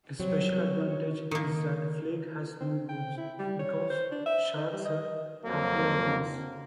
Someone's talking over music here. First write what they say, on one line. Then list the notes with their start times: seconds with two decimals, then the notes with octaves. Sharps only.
A special advantage is that flake has no bones, because sharks are cartilaginous.
0.20 F#3 G3 C4 C#5
1.31 D#3 A#3
2.60 C4
2.89 G5
3.17 E4
3.39 G3
3.59 C#5
3.90 C5
4.12 D4
4.26 E5
4.56 D#4
4.73 G3
4.85 D#5
5.44 F2 F#3 A#3